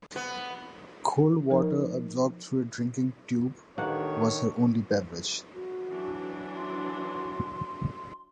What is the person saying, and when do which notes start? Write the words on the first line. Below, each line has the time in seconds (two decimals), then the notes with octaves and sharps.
Cold water, absorbed through a drinking tube, was her only beverage.
0.16 B3
1.50 F3 D#4 A#4
3.78 A1 D#3 A#3 D4 C#5 F#5
5.55 F#4
5.89 E3 F#3 D4
6.56 C6